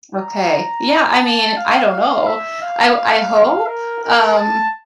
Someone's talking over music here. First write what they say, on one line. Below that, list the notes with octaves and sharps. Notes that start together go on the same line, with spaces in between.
Okay. Yeah, I mean, I don't know. I w I hope? Um,
A#5
A5
F5
F5
E5
F5
A#4
A#4
A5